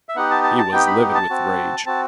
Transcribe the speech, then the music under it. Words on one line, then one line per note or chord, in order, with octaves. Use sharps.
He was livid with rage.
E5
B3 D#4 G4 F#5
A5
A5
A5
B3 D#4 G4 G5
B5
A5
C4 F#4
C4 F#4 A5